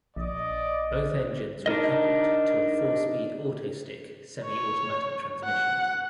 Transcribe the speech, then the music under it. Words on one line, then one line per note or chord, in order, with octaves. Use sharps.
Both engines were coupled to a four-speed Autostick semi-automatic transmission.
A#1 D5 D#5
D4 D#4 A#4 D#5
C#5
F#5